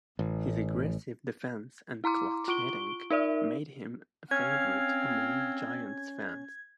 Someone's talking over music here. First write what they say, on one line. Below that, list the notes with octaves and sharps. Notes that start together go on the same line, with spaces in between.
His aggressive defense and clutch hitting made him a favorite among Giants fans.
A1
E4 A#5 C6 D6
F4 C#6 D7 G7
D#4 A#4 D5 E5
C4 C#4 F5 G#6